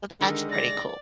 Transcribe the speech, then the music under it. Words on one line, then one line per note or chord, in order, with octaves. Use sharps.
So, that's pretty cool.
D3 D#3 G3 G#3 A#4
D5 A#6